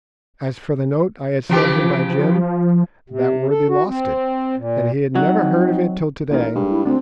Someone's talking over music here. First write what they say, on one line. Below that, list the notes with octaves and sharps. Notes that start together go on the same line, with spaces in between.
As for the note I had sent him by Jim, that worthy lost it, and he had never heard of it till to-day.
C#3 E3 F3 G4
C3
A4
F#4
C4
A#2
F#3 C4 D#4 F#4
A1 A#3 D#4 A#4
G2 G#3
E4
D2 C4 D4